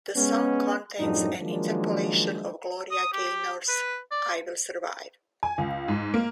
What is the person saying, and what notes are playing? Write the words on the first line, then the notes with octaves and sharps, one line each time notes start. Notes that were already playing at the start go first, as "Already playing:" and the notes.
The song contains an interpolation of Gloria Gaynor's "I Will Survive".
G#3 B3 C#4
F#2 A2 F3 G3 D4 D#4
D#3 F3 F#3 G#3 A#3 D4
D#6
G4
B4
D5
G#5
C#2
G#2
A#3